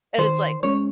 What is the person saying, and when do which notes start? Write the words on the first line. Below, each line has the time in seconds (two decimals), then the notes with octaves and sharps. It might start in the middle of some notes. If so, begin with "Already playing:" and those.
and it's like,
0.18 D#3 C5
0.63 G#3 C#4 C#5